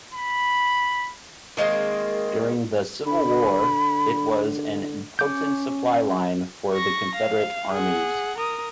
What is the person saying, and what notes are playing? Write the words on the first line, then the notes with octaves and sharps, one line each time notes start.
During the Civil War, it was an important supply line for the Confederate armies.
B5
D#3 G#3 A#3 C4
D3 B5
C#4 D6 G6
C#6 A#6
F5
G#4 F#5
A#4 D#6